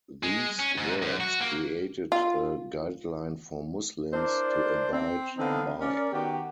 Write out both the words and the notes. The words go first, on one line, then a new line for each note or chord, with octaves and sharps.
These words created a guideline for Muslims to abide by.
G#3
C#4
G#2
F#2
F#4
A#3
F4
D4 E4 A#4 C5 D5
C4
D3 E3 B3 C4 D#4 F5
C#4 A#4 D5
D#3 B3 F#4 G4